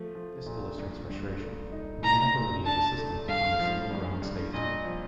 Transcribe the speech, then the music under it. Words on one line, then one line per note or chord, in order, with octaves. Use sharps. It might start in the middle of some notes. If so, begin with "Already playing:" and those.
This illustrates frustration: the inability of the system to find a single ground state.
Already playing: F3 A3
F3
A#2
G2
G2
A3
D#4
C2 A#5
A#2
D4 A5
A3
G2 F5
F3
G2
G2
A#2 D#5
F3